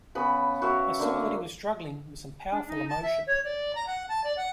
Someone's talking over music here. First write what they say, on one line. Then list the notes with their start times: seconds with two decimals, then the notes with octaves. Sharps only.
I saw that he was struggling with some powerful emotion.
0.15 C#3 B3 B5
0.62 F#4 A#4 E5
1.00 D3 A#3
2.52 D4
2.68 D#4
2.88 A5
3.03 E5
3.27 C#5
3.44 D5
3.75 A#5
3.87 F#5
4.09 A5
4.24 D5
4.37 F#5